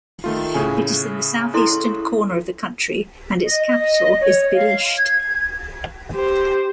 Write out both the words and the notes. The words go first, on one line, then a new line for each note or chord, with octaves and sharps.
It is in the southeastern corner of the country, and its capital is Bilisht.
D#3 A3 F4
A2 C#3 G#5
E4 A4 C6
D#5
D#5
C#5
F5
G#6
G4 C5